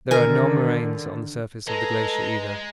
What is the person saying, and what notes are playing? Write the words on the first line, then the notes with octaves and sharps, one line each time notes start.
There are no moraines on the surface of the glacier either.
D3 D#3 A#4 G#5
G#3 A4 B4 A#5